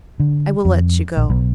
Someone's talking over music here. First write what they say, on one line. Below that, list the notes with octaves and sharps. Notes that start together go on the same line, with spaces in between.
"I will let you go."
D3
F2
A#1
B1